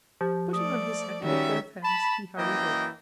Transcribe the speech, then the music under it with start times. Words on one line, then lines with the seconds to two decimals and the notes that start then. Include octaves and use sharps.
Putting on his hat with both hands, he hurried off.
0.21 F3 G4
0.53 A3 D5 D#6
1.22 D#3 G3 C#4 F#4 E5
1.84 A5 B5
2.38 F#2 E3 A#3 D#5 G5